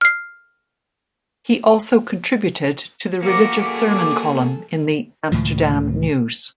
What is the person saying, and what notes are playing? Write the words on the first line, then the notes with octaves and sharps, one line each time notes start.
He also contributed to the religious sermon column in the "Amsterdam News".
F6 C7
A#3 F#4 A#4 D6 C#7
G#4 A4
C#2 A2 D#3 F3